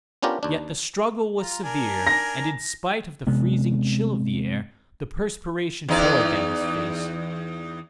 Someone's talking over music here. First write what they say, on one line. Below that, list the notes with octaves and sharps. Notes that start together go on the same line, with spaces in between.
Yet the struggle was severe, and in spite of the freezing chill of the air, the perspiration poured down his face.
B3 C#4 D4 F4 G4 A#4
D#2 D4
F4 A#5
D4 A#4 G#5
A#6
C3 G#3 B3
E2 D#4 D5